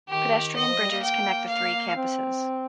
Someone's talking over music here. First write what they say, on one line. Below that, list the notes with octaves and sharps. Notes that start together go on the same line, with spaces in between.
Pedestrian bridges connect the three campusess.
D#3 G4
D#3 D#5
F3
G3
A#3
G5
F5
C4